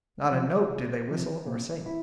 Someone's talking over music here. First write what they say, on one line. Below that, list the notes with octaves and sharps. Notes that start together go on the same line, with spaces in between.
Not a note did they whistle or sing.
C3 F3
C2
C3 F3
A#2
E4